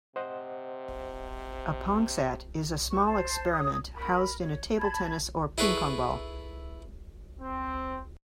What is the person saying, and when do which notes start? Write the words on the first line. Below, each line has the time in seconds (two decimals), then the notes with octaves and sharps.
A PongSat is a small experiment housed in a table tennis or ping-pong ball.
0.16 C3 C5 D#5 F#5
2.90 G4 B4 C#6
3.05 C5 A5
3.51 C#5 D#6
3.94 A#4 B5
4.39 C#5
4.78 A5 B5 G#6
5.58 E4 G#4 A4 B4 C#5 C#6
7.40 C4